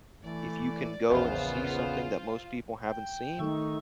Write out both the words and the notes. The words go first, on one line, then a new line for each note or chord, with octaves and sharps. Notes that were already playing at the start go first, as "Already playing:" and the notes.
if you can go and see something that most people haven't seen
E3 A3 D5
A#1 E2 C#3 B3 F4 C5
G5
D#3 A3 D#4 A4 C#6